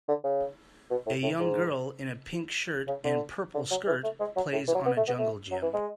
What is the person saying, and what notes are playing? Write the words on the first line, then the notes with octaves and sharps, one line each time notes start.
A young girl in a pink shirt and purple skirt plays on a jungle gym.
D3
C#3
B2
A2
A2
G#2
C#3
D3
D3
F#3
E3
A3
G#3
F#3
A2
E3
F#3
B3
A3
B3
A3
F#3
E3
G#3